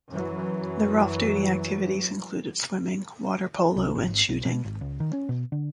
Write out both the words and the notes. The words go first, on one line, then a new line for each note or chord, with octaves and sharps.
Their off-duty activities included swimming, water polo and shooting.
F#2 E3 F#3
C2
G#1
G#1
B1
B2
G#1
C#2
D#3
C#4
B2
D3